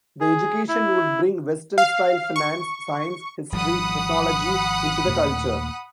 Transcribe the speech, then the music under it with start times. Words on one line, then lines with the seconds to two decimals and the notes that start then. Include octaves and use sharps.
The education would bring Western-style finance, science, history, technology into the culture.
0.20 G#4
0.68 E4
1.78 F5
2.36 C#6
3.52 G#1 F3 G3 F#5 B5 D#6
5.06 D#2 A#2 A3